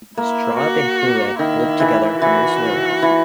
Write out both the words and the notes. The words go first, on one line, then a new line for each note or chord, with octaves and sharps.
Straub and Huillet lived together for most of their lives.
A#3 E4
F#4
D#3 E4
E3
E3 F#4
E3